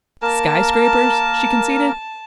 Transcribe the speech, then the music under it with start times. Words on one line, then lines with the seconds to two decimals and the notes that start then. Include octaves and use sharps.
"Sky-scrapers?" she conceded.
0.22 A#3 A#4 A5